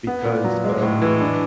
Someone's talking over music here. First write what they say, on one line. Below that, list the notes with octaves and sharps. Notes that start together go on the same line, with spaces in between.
because of,
B3
A#2
F#3
G#3
A2
E3
D4